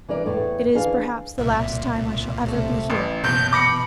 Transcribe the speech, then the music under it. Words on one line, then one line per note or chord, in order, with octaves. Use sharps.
It is perhaps the last time I shall ever be here.
E3 D4 A#4 D5
E2 A2 A3
D2 E3 D4 G#4 F5
C2 A#2 E5
C3 A3
A1 A2 C#3 E3
F#1 B2 E3 A5 G6
B5 D6 A#6 C#7